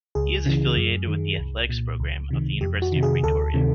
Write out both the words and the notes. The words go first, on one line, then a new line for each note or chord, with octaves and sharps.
He is affiliated with the athletics program of the University of Pretoria.
C#2 G#4
C#3 E3
F#2
D#3
C2
A#2
C#2
C3 D#3
F2 G4
F#4
C3 D#3
G#4
D2 A4
C3 D#3